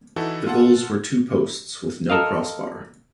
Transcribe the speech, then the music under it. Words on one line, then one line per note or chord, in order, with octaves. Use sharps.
The goals were two posts, with no crossbar.
E3 D#4 E4 F#4 A4
F4 A4 F#5
A4 A#4 D#5 F5